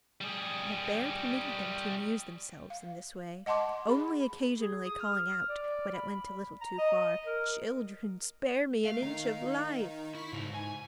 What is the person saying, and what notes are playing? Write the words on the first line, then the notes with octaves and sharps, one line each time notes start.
The bear permitted them to amuse themselves in this way, only occasionally calling out, when it went a little too far, "Children, spare me an inch of life!"
G3 G#4
F5
D#5 F#5 A5 C6 D6
G#4 B5
G#4
D#6
F6
D5
B5
A#5
D#5
A#4
A3 F5
D#3 D#4
E4 C#6 B6
G#2 C#3 D#4 F#4
G#5